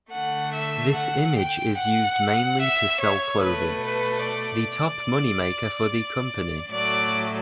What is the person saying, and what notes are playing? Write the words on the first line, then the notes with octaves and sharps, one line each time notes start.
This image is used mainly to sell clothing, the top moneymaker for the company.
D3 A3 F#5
E5
F#5
G5
F#5
E5
C#5
B2 A3 B4
B4
D5
A2 F#3 A3 D5